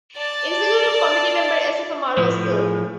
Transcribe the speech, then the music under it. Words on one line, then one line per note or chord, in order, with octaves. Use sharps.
Executive Committee member Assefa Maru was killed.
D5 A5
A2 F3
G#4